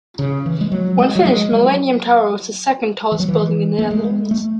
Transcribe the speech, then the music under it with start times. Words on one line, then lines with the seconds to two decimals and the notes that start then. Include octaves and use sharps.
When finished, Millennium Tower was the second tallest building in the Netherlands.
0.19 C#3
0.46 E3
0.61 G#3
0.72 F#3
0.98 G#3
1.15 F#3
1.26 G#3
1.52 F#3
3.12 E3
3.20 F#3
3.28 E3
3.79 A3
3.91 G#3
4.31 A3